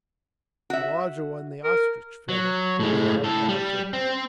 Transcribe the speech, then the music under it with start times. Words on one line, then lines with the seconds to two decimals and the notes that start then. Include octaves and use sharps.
The larger one, the ostrich feather, he held out to her.
0.70 F#4 E5
1.64 A#4
2.29 F#3
2.80 A2 G#3
3.24 A2 A4
3.49 G3
3.93 C4